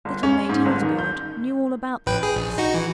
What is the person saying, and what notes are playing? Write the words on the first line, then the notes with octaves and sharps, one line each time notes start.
Little Maid Hildegarde knew all about the knights.
G1
C#4
G#2
G1
D#3
G6
A1 B4 G5
G#4
A#1
D#4 F#4
E3